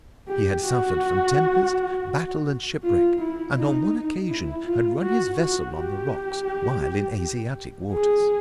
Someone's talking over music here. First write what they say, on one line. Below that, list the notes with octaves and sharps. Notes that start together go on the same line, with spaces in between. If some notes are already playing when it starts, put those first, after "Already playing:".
He had suffered from tempest, battle and shipwreck, and on one occasion had run his vessel on the rocks while in Asiatic waters.
G4
F#4
F4
E4
D#4
E4
F4
F#4
F#4
G4
G#4